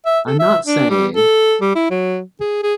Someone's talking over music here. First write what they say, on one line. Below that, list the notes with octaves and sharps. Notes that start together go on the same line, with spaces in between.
I’m not saying...
E5
A4
E5
D4
G3
A4
G3
E4
F#3
G#4
G#4